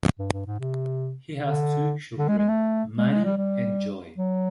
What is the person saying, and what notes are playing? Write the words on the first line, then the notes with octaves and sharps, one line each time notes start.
He has two children, Madi and Joey.
G2
G2
G#2
C3
D3
D3
G#3
G#3
A3
G#3
G#3
G3
G3
F#3